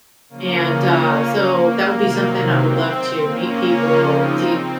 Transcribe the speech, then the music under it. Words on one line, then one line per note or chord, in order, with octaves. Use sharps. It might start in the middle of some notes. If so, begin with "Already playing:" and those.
and, uh, so that would be something I would love to meet people, to
C#3 F3 A#3 C#4
A#3
C3 D#3 F#3
C4
A#3 C#4
C#3 F3
C4 D#4
C4